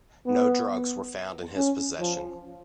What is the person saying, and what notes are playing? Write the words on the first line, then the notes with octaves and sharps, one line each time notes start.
No drugs were found in his possession.
B3
C#4
F3